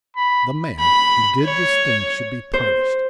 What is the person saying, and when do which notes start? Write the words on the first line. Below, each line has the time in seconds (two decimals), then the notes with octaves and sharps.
The man who did this thing should be punished.
0.16 B5
0.80 B5
1.45 C#5
2.54 C5